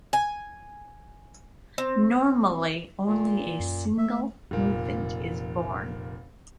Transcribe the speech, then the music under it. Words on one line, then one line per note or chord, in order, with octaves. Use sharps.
Normally, only a single infant is born.
G#5
C4
A#2
F#2
A3 E5
F1 A#2